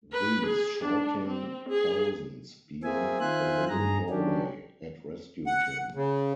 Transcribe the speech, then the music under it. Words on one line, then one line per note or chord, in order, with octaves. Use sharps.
These shouting thousands beyond the little doorway had rescued him.
B4
G#4
D4
C4
G#4
A#3 C4 G#4 E5 G#5
D#3 F4 C5 E5 G#5 F#6
G2 G#4 A#5
D#3 F#3 C#4 D4 G4
F#5
C#3